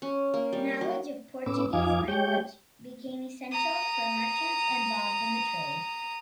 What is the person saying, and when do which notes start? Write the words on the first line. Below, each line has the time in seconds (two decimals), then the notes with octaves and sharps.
Knowledge of Portuguese language became essential for merchants involved in the trade.
0.02 C#4
0.34 A#3
0.53 G3
0.81 F#3
1.46 A2 B3 C#4 D6 E6
1.73 F2 F3 D#4 F5 G#5 D6
2.08 G#3 G4 C#5 G5 G6
3.52 A#5 D#6